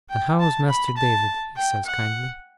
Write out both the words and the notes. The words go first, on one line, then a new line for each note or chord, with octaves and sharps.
'And how is Master David?' he says, kindly.
G5
A5
B5
A5
G5
F#5